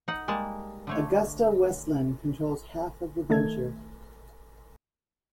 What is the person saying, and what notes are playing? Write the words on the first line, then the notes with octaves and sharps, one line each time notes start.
AgustaWestland controls half of the venture.
D#4 F#5
G3 G#3 A#3 A5
D3 A3 C#5
D#3 A3 A4 G#6